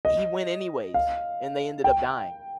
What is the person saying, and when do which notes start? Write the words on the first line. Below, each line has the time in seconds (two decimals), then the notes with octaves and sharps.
he went anyways, and they ended up dying.
0.05 D#5
0.94 F5
1.84 G5